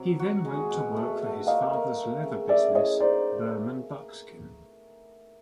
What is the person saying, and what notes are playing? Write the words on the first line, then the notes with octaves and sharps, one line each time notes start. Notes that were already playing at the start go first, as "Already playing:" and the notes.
He then went to work for his father's leather business, Berman Buckskin.
Already playing: C3 F#3
F#4
G#3
B2
A3
A3
A#3 D#5 F5
A#3
A3
C#3
G#4 D5 E5
E4 C#5 D#5
D#4 C5 D5